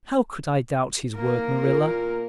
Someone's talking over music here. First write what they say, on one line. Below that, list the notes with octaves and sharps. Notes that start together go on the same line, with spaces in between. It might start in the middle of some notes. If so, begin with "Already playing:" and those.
How could I doubt his word, Marilla?
A#3 A#4
A#2